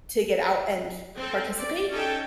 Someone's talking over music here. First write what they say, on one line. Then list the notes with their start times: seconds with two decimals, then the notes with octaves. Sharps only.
to get out and participate.
1.17 C4 A4
1.56 D5
1.92 C#4 D#4 A4 G5